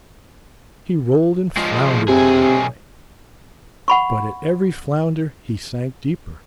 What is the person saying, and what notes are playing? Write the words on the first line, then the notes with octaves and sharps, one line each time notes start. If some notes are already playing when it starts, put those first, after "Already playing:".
He rolled and floundered on the thing, but at every flounder he sank deeper.
F3 G#3
B1 C3 G#4
F#5 B5 C#6